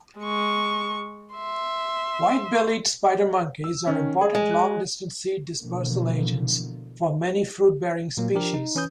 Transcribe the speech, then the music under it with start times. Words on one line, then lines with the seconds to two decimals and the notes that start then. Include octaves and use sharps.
White-bellied spider monkeys are important long-distance seed dispersal agents for many fruit-bearing species.
0.19 G#3 C#6
1.34 E5 C6
3.64 E6
3.87 D#3 C#4
4.21 G#4
4.35 G#3
4.51 F#6
5.62 B2 D3 E3 F3 A#3
8.17 A#2 F#3 A#3
8.34 F3 D4 G4 A#4
8.54 D#4
8.75 E3 C#4 B4 D#6 G6